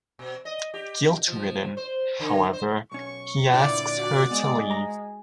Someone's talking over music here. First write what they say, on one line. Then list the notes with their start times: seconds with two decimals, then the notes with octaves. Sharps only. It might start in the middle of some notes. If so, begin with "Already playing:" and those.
Guilt-ridden, however, he asks her to leave.
0.19 B2
0.45 D#5
0.74 G4
1.28 F3
1.77 C5
2.20 D3
2.53 C5
2.92 B1 C#4 C#6
3.51 A#2 D3 E4 D5
3.96 F#4
4.31 G#3 B3
4.71 A#5